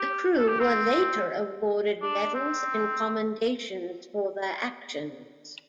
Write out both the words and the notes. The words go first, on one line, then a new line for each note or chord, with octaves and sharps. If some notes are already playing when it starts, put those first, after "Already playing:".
The crew were later awarded medals and commendations for their actions.
Already playing: G4
A4
G4
C4
D4
C4